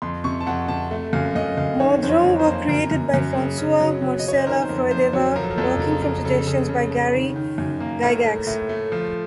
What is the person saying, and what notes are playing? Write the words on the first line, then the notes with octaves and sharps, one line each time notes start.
Modrons were created by Francois Marcela-Froideval, working from suggestions by Gary Gygax.
F2 C6
C3 C#6
A5
F2 F#5
C3 A5
A3
F#2 F5
F#2 D#5
F#2 F5
D#3 C#5
F2 C5
C#5
F2
C5
A#3
F#2 A#4
F#2
F#2
C#3
C#3
F#3
F#3
D#5
F#3 C#5
C5
D#3 A#4
C5
F2 A#4
F2 C5
F#3 C#5
F3 A#4
A4
A#4
F2 A4
C#3 A#4
F2 A#4
C#3 A4
C#3
C#3
C#3
D#3
D#3
F#2
A#3
A2 A#4
A3
A2
A3
F3